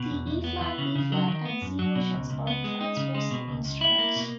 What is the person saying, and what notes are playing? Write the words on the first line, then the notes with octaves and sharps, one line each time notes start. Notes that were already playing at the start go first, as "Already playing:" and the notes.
The E-flat, B flat and C versions are transposing instruments.
Already playing: B2
E2
E2
B3
E3
C#3
C#3
F#3
D#3
B3
F#2
F#3
B2
C#2
C#2
B3
G#3
D#4
C#3
G#3
B2
C#2
C#2
E4
A#3
B2